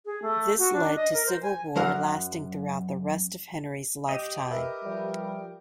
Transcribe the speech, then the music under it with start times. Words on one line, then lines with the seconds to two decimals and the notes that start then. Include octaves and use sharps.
This led to civil war lasting throughout the rest of Henry's lifetime.
0.05 G#4
0.22 A3
0.59 F#4
0.73 D4
0.96 D#5
1.13 A#4
1.27 C5
1.43 G#5
1.76 F#2 F#3 A#4 F#5
4.09 G4 D#5
4.51 A#4 B4 E5
4.84 F3 G3